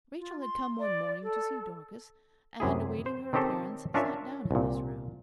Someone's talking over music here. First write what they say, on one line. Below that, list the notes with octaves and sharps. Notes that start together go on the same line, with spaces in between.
Rachel had come one morning to see Dorcas, and, awaiting her appearance, sat down in this room.
F4
C6
D5
A4
F#2 C3 E4 G#4
C5
D#3 C4 C#4 G4 A4 C5
C#4 D4 F4 A#4 C#5 E5
C2 A#2